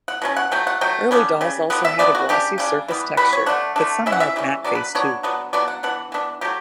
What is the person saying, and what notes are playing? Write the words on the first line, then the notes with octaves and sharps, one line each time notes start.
Early dolls also had a glossy surface texture, but some had matte face too.
F#5
B2 F#3 C#4
F#5
F#3 A3 G5
F#5
F#3 A3 G5
C#3 G3 B3 D4
C#3 G3
D3 G3 B3 F#5
E5
D3 G3 B3 D5
F#4
C#3 G3 D4 G4
C#3 G3 D4
E3 G3 B3
E3 G3 B3 B4
C#5
D3 A3 D4 F#5
D3 A3 D4
E3 G3 C#4 E5
F#5
E5
E3 G3 C#4
F#3 B3 D4 D5
B4
F#3 B3 D4 C#5
F#3 B3 D4
F#3 B3 D4 D5
F#5
E3 B3 D4 F#5
E3 B3 D4
F#3 A3 G4